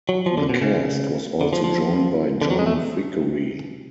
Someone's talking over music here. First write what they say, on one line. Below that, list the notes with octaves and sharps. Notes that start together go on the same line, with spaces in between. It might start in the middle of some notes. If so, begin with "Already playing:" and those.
The cast was also joined by John Vickery.
F#3
F3
D3
B2
C#3
D3
F3
F3
D3
F#3
G#3
A3